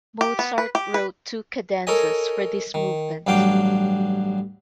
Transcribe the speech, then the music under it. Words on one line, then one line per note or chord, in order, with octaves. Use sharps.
Mozart wrote two cadenzas for this movement.
G4
B3
B4
G4
B4
A4 A#4 C#5 D#5 G#5
D#3
A1 G2 F#3 F5 G5 D6